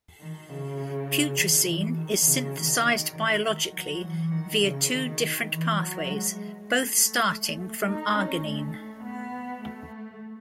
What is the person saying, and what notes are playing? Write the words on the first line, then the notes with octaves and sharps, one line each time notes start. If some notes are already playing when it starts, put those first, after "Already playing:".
Putrescine is synthesized biologically via two different pathways, both starting from arginine.
D#3
C#3
D#3
E3
D#3
C#3
D#3
D#3
F#3
E3
D#3
C#3
D#3
E3
F#3
G#3
A3
D#4
C#4
A3
B3
A3